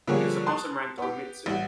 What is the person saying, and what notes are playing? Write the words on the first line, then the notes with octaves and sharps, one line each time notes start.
He is a bottom-ranked onmitsu.
D3 F3 G3 A#3 G#4 C#5
A5 C6 D#6 F#6
B3 G4
A1 G3 F#4